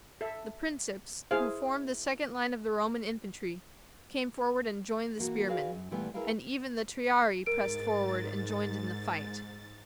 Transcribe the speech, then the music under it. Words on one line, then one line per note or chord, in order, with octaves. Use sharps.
The principes, who formed the second line of the Roman infantry, came forward and joined the spearmen, and even the triarii pressed forward and joined in the fight.
A4 E5
E4 G#4 C5 F5
E3 A#3 F#4
F#4 G#4 B4 D5 F5
F#2
A#2 E3 G3 A3 B3
E4 F4 G#4 A#4 B4 F5
G#2 A#4 A6 D7